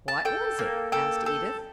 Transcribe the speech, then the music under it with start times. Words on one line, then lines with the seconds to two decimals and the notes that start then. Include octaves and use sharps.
"What was it?" asked Edith.
0.08 A5
0.25 A4 G5
0.59 A#3
0.92 A4 G5
1.26 A4